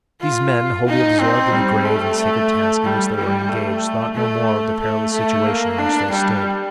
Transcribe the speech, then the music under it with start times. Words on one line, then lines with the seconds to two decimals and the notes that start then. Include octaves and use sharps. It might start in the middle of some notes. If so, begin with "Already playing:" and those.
These men, wholly absorbed in the grave and sacred task in which they were engaged, thought no more of the perilous situation in which they stood.
0.21 F4
0.86 D#4
1.20 C4
1.52 G3
1.85 A3
2.84 G3
3.16 G3
3.49 A3
4.15 A3
4.80 A3
5.13 A3
5.46 A#3
5.78 D4
6.12 G3